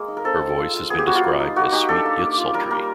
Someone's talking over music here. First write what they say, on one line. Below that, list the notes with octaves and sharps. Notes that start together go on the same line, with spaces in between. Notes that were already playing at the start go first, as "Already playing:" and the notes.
Her voice has been described as sweet yet sultry.
Already playing: G#3 A#3
D#4
A#4
C4 A4
C4
F4
F4
B3 G#4
G4
G3 F#4
F4
A#3
D#4
A#3 F#4
D#4 G4
D4 A4
A#3
A#3
F4
G3 A#4
A#3 A#4